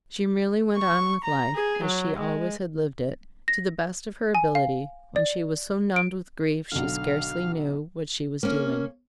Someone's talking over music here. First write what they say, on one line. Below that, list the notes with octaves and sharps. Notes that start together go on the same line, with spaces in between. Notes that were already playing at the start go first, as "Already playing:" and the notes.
She merely went on with life, as she always had lived it, to the best of her ability when she was so numbed with grief she scarcely knew what she was doing.
C#6
A#5
G#4
F#3
G#3
A#6
G#5
F5
D5
D7
B1 D3 F5
A#3 C#4